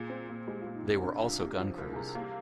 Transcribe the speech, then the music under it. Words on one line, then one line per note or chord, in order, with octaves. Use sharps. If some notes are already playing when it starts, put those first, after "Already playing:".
They were also gun crews.
Already playing: A#2 G#4
C4
A#2
G#3 G4
F4
A#2
D#4
C2 C4
C3 D4
C2 F4
A#3 G4
F3 C5
C2 A#4
G#4
C3 A#4
A#3 G4